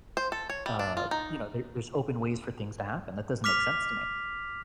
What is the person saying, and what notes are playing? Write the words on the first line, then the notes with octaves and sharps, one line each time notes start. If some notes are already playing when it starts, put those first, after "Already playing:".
uh, you know, there there's open ways for things to happen, that doesn't make sense to me.
C5
A4
C#5
G3
D4
F4
D#4
D6 F6 B6 F7